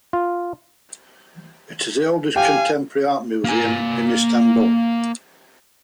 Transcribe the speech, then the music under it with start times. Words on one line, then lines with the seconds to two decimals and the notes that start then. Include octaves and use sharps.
It is the oldest contemporary art museum in Istanbul.
0.13 F4
2.36 G4 F5 G5 G#5
3.44 A#3 G#5